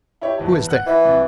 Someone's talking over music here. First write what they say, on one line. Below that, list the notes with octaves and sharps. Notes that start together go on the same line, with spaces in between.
"Who is there?"
E4 G4 C#5
G1 E3 A5
F#5 F#6
E3
C2